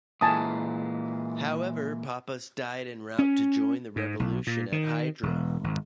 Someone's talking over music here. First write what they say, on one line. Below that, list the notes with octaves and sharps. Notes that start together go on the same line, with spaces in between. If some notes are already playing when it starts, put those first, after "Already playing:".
However, Pappas died en route to join the revolution at Hydra.
A#2 E3 G#3 G#5 A5 D#6
C#4
G#2
B1
A#2
D#3
E1
G#1